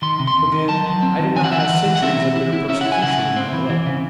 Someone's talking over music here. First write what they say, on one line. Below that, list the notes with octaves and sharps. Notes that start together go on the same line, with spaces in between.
But then I did not have centuries of bitter persecution in my blood.
D#3 C6
C3
C6
E2
D#3
F#3 A5
F#3
C4
D#3
E3 G#5
F#5
E3 E5
F#5
E3
E3
F#5
C4 E5
E3
E4
E4
C#4 E5
E4 F#5
G#5
C#3 F#5
E4
C4
E3
E3
C#3